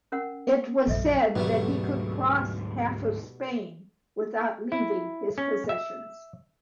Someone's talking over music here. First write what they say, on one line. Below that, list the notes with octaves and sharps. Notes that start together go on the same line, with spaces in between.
It was said that he could cross half of Spain without leaving his possessions.
C#4 A#4 F#5
A#1 F#2 A4 D#5 E5
D2 G#2 B2 F#3 G3 A3
E4
C#4
E5